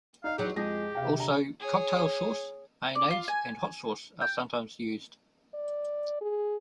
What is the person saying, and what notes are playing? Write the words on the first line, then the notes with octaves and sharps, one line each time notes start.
Also, Cocktail sauce, mayonnaise and hot sauce are sometimes used.
D#4 D#5 F5
E2 F#3 G4 G#4
F2 F3 G#3 G4 G#4 A#6
C3 F5 G5
D3 A#5
G#4 C#5
D5
F4
G#5
G5
D5
G#4